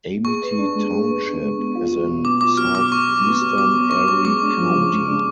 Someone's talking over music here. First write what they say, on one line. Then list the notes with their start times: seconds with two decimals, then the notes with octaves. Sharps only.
Amity Township is in southeastern Erie County.
0.25 G#4 C#6
0.42 B4
0.58 D4
0.75 G#3
0.92 G#4
1.09 B4
1.25 D4
1.42 G#3
1.59 B3
1.75 F4
1.91 F#3
2.08 B2
2.25 B3 D6
2.41 F4 D6
2.57 F#3 F6
2.75 B2 D6
2.92 F#4 C#6
3.07 F#3
3.25 B3
3.41 F#3
3.58 F#4 D6
3.75 F#3
3.91 B3 C#6
4.08 F#3 C#6
4.25 G#3 D6
4.42 D4
4.58 F3
4.75 C#3
4.92 G#3
5.08 D4